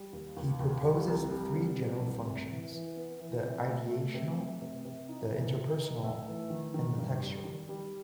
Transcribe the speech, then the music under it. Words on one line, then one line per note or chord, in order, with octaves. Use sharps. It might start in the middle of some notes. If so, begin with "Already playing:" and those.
He proposes three general functions: the "ideational", the "interpersonal" and the "textual".
Already playing: G3
D#2
D#2
D#2
G3
C2
G3
C2
B2
C2
C3
E3
E3
B3
E3
C3
A3
A3
C3
A3
C3
C3
D#4
E3
E3
D#4
A3
E3
D#3
D#3
G2
G3
D#3
G3